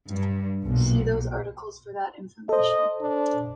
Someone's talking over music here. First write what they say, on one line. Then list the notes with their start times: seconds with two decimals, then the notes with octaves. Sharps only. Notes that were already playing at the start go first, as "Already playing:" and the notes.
See those articles for that information.
0.11 G2
0.63 B1 A#2
2.49 A4 C5 D#5
3.01 D4